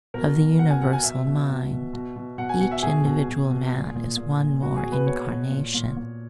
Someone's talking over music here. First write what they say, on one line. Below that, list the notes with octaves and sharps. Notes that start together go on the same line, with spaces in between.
Of the universal mind each individual man is one more incarnation.
B2 A#4
B2
B2 F#5
G#5
B2 F#5
G#5
B2 E5
B2
B2
B2
B2
B2
B2 F#5
G#5
B2 F#5
E5
B2 G#4
B2
B2
B2
A#2
A#2
A#2
A#2
B2 F#4
G#4
B2
B4
B2 C#5
B2
A#2
A#2
A#2